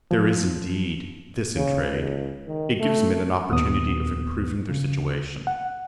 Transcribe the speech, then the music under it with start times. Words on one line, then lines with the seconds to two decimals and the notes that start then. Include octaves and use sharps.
There is, indeed, this in trade:--it gives men an opportunity of improving their situation.
0.11 F3
1.55 C#3
1.86 C#2
2.47 D#3
2.80 A3
3.52 D#2 A#2 B3 D#6
4.69 C#3
5.47 F#5